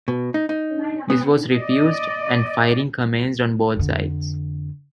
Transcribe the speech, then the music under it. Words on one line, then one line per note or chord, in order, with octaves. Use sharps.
This was refused, and firing commenced on both sides.
B2
D#4
D#4
B3
D5 D#5
F2 D3